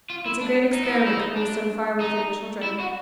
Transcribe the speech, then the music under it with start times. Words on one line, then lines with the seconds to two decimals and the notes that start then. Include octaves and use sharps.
It's a great experiment coming so far with young children.
0.10 F4
0.26 E4
0.41 D4
0.73 D#4
0.84 E4
0.95 D#4
1.06 E4
1.17 D#4
1.36 D4
2.00 D#4
2.63 E4
2.80 F#4